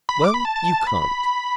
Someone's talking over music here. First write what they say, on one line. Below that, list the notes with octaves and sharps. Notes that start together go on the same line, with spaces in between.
Well, you can't.
B5
D6
B5
A5
A5
B5